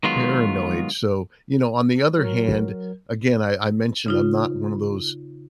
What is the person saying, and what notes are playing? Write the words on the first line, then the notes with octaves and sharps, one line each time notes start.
paranoid, so, you know, on the other hand, again, I I mentioned I'm not one of those
D#3 F#3 G#3 B3 F4
F#3 A#4
C#3 D#4 F4